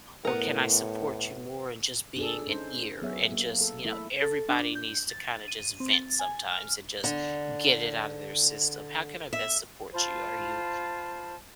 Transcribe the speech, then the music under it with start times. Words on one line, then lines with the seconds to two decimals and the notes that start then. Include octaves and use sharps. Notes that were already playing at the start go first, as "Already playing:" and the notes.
or can I support you more in just being an ear and just you know, everybody needs to kinda just vent sometimes and just get it outta their system. How can I best support you? Are you
0.25 A2 B3 A#4
2.17 D4 G#4 A4
2.47 C#4 D#4 C5
3.02 F#3 B3 G#4 C#5 E5
3.32 A#3
3.61 A4
3.84 A3 E4 A4 E5
4.22 A4
4.49 D4
4.75 G6
5.10 A6
5.48 D#7
5.80 C4
5.93 A6
6.19 G#5
6.51 F6
7.04 D3
9.33 E5
9.93 F4 C5 A5 B5